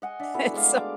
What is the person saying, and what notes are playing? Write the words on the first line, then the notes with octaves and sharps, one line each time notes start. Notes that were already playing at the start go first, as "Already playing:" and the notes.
And so,
D#5 F#5 G#5
D4 D5 E5
B3 E4 F#4 A4
G#3 A3 D5 F5
D6